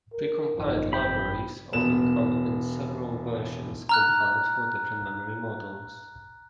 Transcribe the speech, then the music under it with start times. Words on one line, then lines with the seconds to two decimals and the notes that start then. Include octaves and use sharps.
Precompiled libraries often come in several versions compiled for different memory models.
0.13 A#4
0.58 G#1 F#2 F3 D#4
0.93 C4 G5 B5
1.73 E1 B3 E7
3.89 A#5 F6 F#6